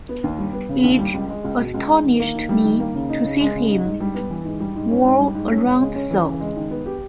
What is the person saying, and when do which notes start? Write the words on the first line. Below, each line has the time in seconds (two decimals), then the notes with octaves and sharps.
It astonished me to see him whirl around so.
0.09 B3
0.24 D#2
0.39 G3
0.53 B3
0.69 C#3
0.83 D#2
0.99 G3
1.14 C#2
1.29 G#3
1.44 C#2
1.59 B2
1.74 C#2
1.90 G#3
2.04 D#3
2.20 A#3
2.35 D#3
2.49 G3
2.65 D#3
2.80 A#3
2.94 C#3
3.09 D#4
3.24 C#3
3.40 G#3
3.55 C#3
3.69 D#4
3.85 G#2
4.00 G3
4.15 B3
4.30 E3
4.45 G#2
4.60 G3
4.75 G#2
4.90 C#4
5.05 G#2
5.20 G3
5.35 G#2
5.50 C#4
5.66 C#3
5.80 G#3
5.95 C#4
6.10 E3
6.25 C#3
6.40 G#3
6.56 D#3
6.71 B3
6.86 G4